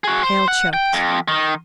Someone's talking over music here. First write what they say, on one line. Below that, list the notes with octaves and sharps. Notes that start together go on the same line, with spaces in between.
Hale choked.
F#4 G#4
C5
F#5
G5
F2
D#3